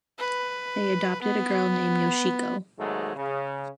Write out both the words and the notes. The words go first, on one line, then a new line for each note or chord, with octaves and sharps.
They adopted a girl named Yoshiko.
B4
B3
D#2 G#2 F#3 G#3 A3
C#3